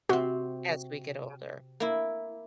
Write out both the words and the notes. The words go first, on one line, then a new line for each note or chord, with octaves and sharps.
as we get older.
C3 C4 F#4
A#3 E4